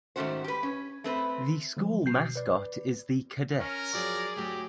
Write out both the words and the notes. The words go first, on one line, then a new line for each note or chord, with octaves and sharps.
The school mascot is the Cadets.
G#2 D#3 A3 C#4 F#4 C5
G4 B4
C#4
A3 C4 B4
D3 F3 F#3 G#3
B2 G6 C7
B4 D5
C#4 A#4
F3 F#3 G#4 D5
D2 F#3 G4